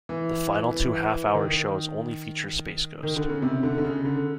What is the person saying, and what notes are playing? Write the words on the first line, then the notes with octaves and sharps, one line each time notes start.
The final two half-hour shows only feature Space Ghost.
E3
E3
D#3
D#3
D3
C#3
C3
D3
D3
C#3
D3